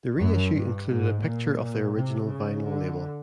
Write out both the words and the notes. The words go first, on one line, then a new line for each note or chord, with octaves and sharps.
The reissue included a picture of the original vinyl label.
F#2
G2
G#2
A#2
C3
C#3
D3